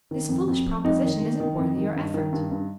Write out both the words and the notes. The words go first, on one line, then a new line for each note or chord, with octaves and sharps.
This foolish proposition isn't worthy your effort.
D#3
F2
F2
F2
F2 D#4
D#3
D#3
D#3
F2
D#3
G2
D#3
G2
G2